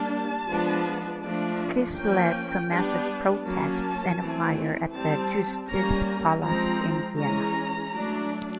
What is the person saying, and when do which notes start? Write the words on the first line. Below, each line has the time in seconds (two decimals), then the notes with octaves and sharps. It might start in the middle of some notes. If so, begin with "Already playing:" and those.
This led to massive protests and a fire at the "Justizpalast" in Vienna.
Already playing: G3 A#3 D4 A5
0.47 F3 G#3 B3 D4
1.23 F3 A3 D4
1.97 F3 A#3 C#4 G5
2.71 G3 B3 D4
3.45 F#3 A#3 C#4 A5
4.21 E3 A3 C4
4.95 G3 C4 A5
5.69 G3 A#3 C#4 A#5
6.44 F3 G#3 C4 A#5
7.18 E3 G#3 C#4 A#5
7.93 F#3 A3 D4